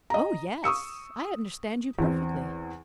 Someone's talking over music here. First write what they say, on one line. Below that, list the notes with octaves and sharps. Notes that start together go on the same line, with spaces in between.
"Oh! yes--I understand you perfectly."
D#5 A#5
C#6 D#6 E6 C#7
E2 C4